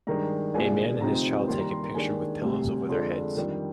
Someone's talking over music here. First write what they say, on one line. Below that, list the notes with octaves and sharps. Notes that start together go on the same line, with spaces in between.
A man and his child take a picture with pillows over their heads.
G2 D#3 G#3 D4 A#5
C2 A#2 G#3 D4 G#5
D2 C3 F3 C4 D#4 A#5
D#2 D#3 G3 C6
A#5
C6
A#5
D#2 D#3 G#3 D4 G#5
D2 C3 G3
F2 D3 G#3 D4 C6
F2 D#3 G3 D4
G5